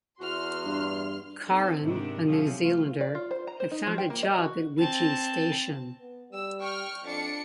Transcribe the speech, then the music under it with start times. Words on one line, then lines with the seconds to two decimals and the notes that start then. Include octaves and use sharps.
Carron, a New Zealander, had found a job at Wydgee Station.
0.21 E2 F#4 C6 F6
0.65 G2
1.45 C4 D#4 A4
1.81 G#2 C3 D#3 G#3 D4 E4
2.28 C3 F3 F#3 C#4 G#4 A4
2.59 F#3 A3 F4
3.01 D5
3.15 F4
3.31 C5
3.47 A#5
3.60 C5
3.71 D#4
3.87 F3
3.98 G5
4.10 A#3
4.23 D#5
4.39 F#4
4.78 C4 A5
5.99 B3
6.32 G3 E6
6.60 G5 C#6 F6
7.04 F2 D4 C#7